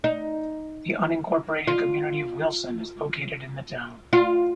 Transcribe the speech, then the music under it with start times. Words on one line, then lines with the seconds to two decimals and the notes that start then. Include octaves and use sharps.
The unincorporated community of Wilson is located in the town.
0.04 D#4
1.68 F4
4.13 F4